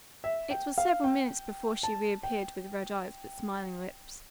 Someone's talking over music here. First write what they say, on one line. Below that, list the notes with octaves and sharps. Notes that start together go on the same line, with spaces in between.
It was several minutes before she reappeared with red eyes, but smiling lips.
E5
G5
F5
G5
A5
G5